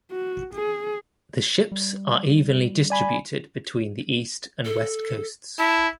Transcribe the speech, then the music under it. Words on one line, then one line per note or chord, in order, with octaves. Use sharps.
The ships are evenly distributed between the east and west coasts.
F#4
G#4
G3
D5 G#5 B5
A4
E4 A5